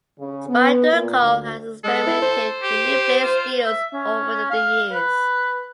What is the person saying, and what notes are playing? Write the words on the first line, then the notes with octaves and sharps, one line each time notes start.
Spyderco has experimented with new blade steels over the years.
C#3
B3
A#2
D2
G#3 A4
E4
C5
G4
F4
E5
C#4
F5
B4